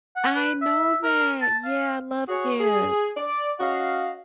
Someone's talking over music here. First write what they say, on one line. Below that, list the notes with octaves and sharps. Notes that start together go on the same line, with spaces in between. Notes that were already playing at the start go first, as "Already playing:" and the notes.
I know that. Yeah, I love Gibbs.
F#5
B4
E5
A#4
A5
F5
F#4 G#4 C#5
G#4
D5
C#4 F#4 D#5 F5